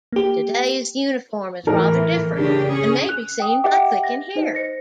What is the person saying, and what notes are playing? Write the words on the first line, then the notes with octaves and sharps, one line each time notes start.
Today's uniform is rather different and may be seen by clicking here.
A#3 G4
A2 E3 A#4
C#3 D4 G4
C#4 G#4
F#6 F7
G5 D#6
G4 D#5 E5 F#5 G5 D6
A#6
D#4 C5 D#5
C5 A#6 C#7